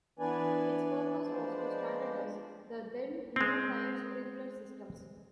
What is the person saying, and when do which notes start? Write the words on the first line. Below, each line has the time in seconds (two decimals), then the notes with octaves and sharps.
Its purpose was to standardize the then-new fire sprinkler systems.
0.19 E3 B3 D4 B4 D5 G#5
1.23 F3 G#3 B3 D4 C5 D5
3.36 G#3 C4